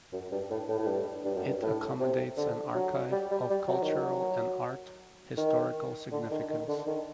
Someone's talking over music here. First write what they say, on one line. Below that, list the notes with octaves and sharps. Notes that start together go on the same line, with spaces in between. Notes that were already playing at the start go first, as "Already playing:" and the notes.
It accommodates an archive of cultural and art historical significance.
F#2
G2
A2
A2
A2
G2
G2
F#2
G2
A2
C3
D3
F#3
G3
G3
G3
F#3
D#3
F#3
D#3
D3
D#3
D#3
D3
D#3